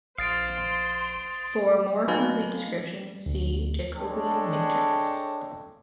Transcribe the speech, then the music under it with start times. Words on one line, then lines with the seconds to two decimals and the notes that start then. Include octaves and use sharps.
For a more complete description, see Jacobian matrix.
0.18 A#1 C5 F5 C6 D#6 A6 D7
2.08 F#3 A3 D#4 F#4 D#5 F5
3.26 D2
3.96 G#3 D4 A4 C#5 G5 A5